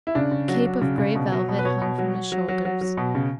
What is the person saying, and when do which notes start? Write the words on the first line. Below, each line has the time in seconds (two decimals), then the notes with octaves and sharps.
A cape of gray velvet hung from his shoulders.
0.07 E4
0.15 C#3 D4
0.31 C#3
0.48 F#3
0.65 F#3
0.81 C#3
0.98 C#3
1.15 B2
1.32 F#3
1.49 B2
1.59 B4
1.65 B2 C#5
1.81 B2
1.98 F#3
2.15 F#3
2.32 F#3
2.48 F#3
2.65 F#3
2.81 F#3
2.97 B2
3.15 C#3